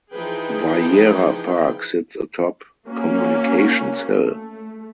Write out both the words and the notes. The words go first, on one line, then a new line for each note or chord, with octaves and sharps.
Vieira Park sits atop Communications Hill.
E3 F3 D#4 G#4 B4 G5
A#3 C#4 F#4
A3